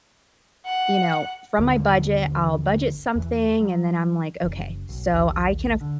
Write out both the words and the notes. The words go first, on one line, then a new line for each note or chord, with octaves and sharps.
you know, from my budget, I'll budget something, and then I'm like, "Okay, so I can aff"
F#5
G1 D#2 D3
E2 E3
F#3
F#1
B1
A#1 D#2
D3